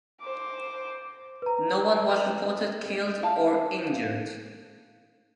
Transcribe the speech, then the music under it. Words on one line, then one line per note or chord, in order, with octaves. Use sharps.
No one was reported killed or injured.
C5 D6
B4 A#5
F5 A5